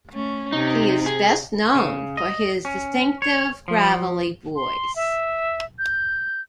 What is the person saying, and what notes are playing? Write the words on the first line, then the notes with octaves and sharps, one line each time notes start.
He is best known for his distinctive gravelly voice.
A3 C#4
C3 D#4
G#4
C#3
D#5
C#4
C#5
F3
C6
E5
G6